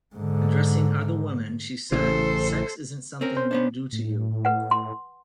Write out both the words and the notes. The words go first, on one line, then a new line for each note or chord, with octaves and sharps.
Addressing other women, she said, Sex isn't something men do to you.
G#2 D3
A1 C#3 E3 A4 C5
C4 C#4 A#4
C5
B3 C#4 D4
A2
B4 F#5
C6